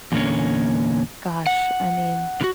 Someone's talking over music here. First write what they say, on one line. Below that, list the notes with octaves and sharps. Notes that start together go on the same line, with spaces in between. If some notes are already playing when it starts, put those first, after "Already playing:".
Gosh, I mean,
E2 A#2 D3 F#3 A#3 C#4
F#5
D3 F#4